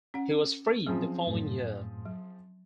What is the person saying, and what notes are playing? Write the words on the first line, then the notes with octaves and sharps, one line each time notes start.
He was freed the following year.
C#4 F#5
F3 F#3 C4 C#4 G#4
F#2 A2
F#3